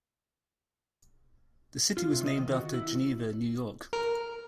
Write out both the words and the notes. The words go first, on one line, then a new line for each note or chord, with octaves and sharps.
The city was named after Geneva, New York.
F4
C3
D#5
D#3
F#4
E4
A#4